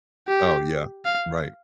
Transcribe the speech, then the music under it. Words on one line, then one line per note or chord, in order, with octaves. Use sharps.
Oh, yeah. Right.
G4
F5